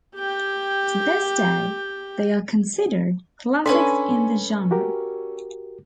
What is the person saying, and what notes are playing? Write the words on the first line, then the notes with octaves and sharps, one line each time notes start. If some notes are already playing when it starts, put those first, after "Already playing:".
To this day, they are considered classics in the genre.
G4 G5
C#4 D4 A4 B4 G#5 B5 C6
F#4 G4 A#4